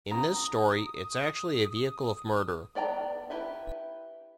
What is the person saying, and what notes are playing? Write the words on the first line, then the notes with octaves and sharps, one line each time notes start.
In this story, it's actually a vehicle of murder.
A#5 D#6
B3 D5 G5 G#5 A#5
E4 G4 B4 E5